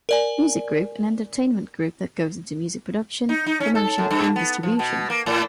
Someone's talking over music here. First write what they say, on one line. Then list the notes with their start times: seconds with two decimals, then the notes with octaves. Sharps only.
Music Group, an entertainment group that goes into music production, promotion and distribution.
0.09 A#4 D5 G#5
3.29 D#4
3.46 D#4
3.60 C#4
3.75 A4
3.98 F#2
4.11 G2
4.36 B3
4.63 F3
4.79 B2
5.10 A#3
5.26 A2